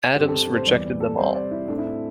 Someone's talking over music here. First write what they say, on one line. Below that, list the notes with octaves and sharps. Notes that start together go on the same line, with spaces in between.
Adams rejected them all.
G2 D3 C4 G4
A4
C5
E2 E3 G3 C4 D5
D5
A4
C3 G3 C4 C5
D5
E4
A2 A3 C4 D4
E4
D4